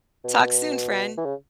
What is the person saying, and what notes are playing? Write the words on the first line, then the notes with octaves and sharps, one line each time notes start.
Talk soon, friend.
B2
E3
C#3